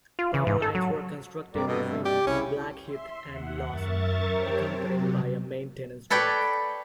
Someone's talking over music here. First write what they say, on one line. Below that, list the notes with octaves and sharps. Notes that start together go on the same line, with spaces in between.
Power lines were constructed between Blackheath and Lawson, accompanied by a maintenance track.
F4
C#3
G#2
A4
F#3
G2 C3 C4 A#4 D5
B2 B3 A4 D#5
A3
G4 D5
C2 C#3 C#4 E4
E5 C6
D#2 F#5
F#2 A#4 E5 C#6 A6
G4 A#4 C5 C#5 G5 A5
C3 F#3
A4 B4 C#5 D5 G5